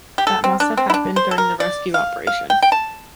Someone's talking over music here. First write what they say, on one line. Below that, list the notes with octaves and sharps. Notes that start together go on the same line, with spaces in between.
That must have happened during the rescue operation.
G4
A4
C4
D4
C4
E4
D4
C5
A4
A#4
D5
F5
F5
G5
G5
A5